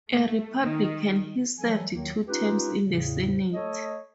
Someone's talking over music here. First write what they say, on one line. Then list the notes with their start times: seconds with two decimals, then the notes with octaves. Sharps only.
A Republican, he served two terms in the Senate.
0.11 A3
0.61 D#3
1.59 E3 F#3 G3 A4 G#5
1.93 D#2 D#3 F#3 A#3
2.28 C#4 D#4 F4 G4 B4
2.86 E2 A2 C#3
3.53 A3 A4 C#5 D#5